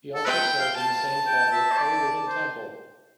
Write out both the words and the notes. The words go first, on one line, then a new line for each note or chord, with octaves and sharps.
He also says in the same Tablet:O Living Temple!
A4
B4 G5
F5
A5
G5
E5
C5
D5
C5